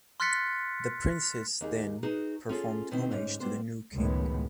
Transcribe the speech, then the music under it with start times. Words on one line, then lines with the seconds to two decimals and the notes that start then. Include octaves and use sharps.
The princes then performed homage to the new king.
0.20 C6 F6 F#6 A6 B6 C#7
1.61 D#2 D#4 G#4
2.03 D#4 F#4 G#4 B4
2.49 C#4 F4 G#4 A4
2.91 B2 D#3 C4 E4
3.11 D2 G#2 C#4 D#4
3.40 G3 B3 D4 C5
3.92 C#2 F#2 A2 D#3 G#3 B3